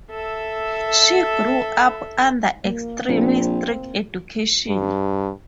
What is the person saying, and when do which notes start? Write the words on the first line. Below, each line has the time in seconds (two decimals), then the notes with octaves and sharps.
She grew up under extremely strict education.
0.11 A4 E5
2.65 A#3
3.09 A#1 C4
4.68 G2